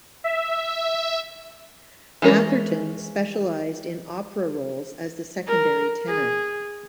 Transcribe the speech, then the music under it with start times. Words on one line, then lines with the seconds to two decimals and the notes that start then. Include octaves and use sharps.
Atherton specialized in opera roles as the secondary tenor.
0.24 E5
2.22 E3 G#3 C#4 A#4
5.47 A#4
6.08 G#4